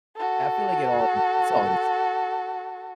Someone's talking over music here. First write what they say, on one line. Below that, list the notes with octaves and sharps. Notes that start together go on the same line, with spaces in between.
I feel like it all it's all the same,
F#4 A4